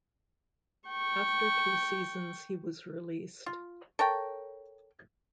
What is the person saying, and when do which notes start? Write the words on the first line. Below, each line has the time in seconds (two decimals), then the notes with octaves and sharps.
After two seasons he was released.
0.88 G5 C#6
3.46 F4
3.99 A4 A#4 C#5 G5